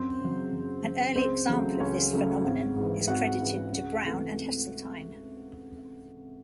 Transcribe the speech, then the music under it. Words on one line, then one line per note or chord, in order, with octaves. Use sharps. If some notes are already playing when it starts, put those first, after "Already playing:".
An early example of this phenomenon is credited to Brown and Heseltine.
Already playing: F#2 C4 C5
C#3 F#3
F#2
C#3 F#3
C#2 C4 C5
C#3 F#3 A3
C#2 C#4 C#5
C#3 F#3 A3
G#1
G#2 E3
G#1 F#4 F#5
G#2 E3
C#2
C3 E3 A3